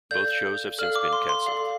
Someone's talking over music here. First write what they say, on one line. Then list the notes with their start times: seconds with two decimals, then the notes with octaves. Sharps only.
Both shows have since been cancelled.
0.11 A4 D5 F5 G6
0.79 A4 D5 F5 F6
0.95 D6
1.13 C6
1.29 C6
1.46 A4 D5 F5